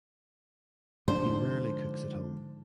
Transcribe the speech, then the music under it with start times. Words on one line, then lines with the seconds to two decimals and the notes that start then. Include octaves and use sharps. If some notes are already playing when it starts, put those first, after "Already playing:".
He rarely cooks at home.
1.08 G#2 D3 F3 D4 C5